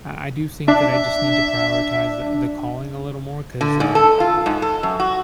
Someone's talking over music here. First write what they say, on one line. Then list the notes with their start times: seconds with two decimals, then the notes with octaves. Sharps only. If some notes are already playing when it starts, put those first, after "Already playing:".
I I do think that I just need to prioritize the the calling a little more 'cause, uh,
0.68 D4 E5
3.61 D3
3.80 G#2
3.95 A4
4.20 F4
4.46 G#2
4.62 A4
4.83 F#2
5.00 F#4